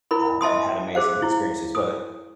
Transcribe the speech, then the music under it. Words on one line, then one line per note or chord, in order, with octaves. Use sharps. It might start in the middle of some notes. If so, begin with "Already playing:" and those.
um, and had amazing experiences with it.
E4 A#4 B5
D#5 E5 A5 C6 D#6
G#4 C5 F5
E4
D#6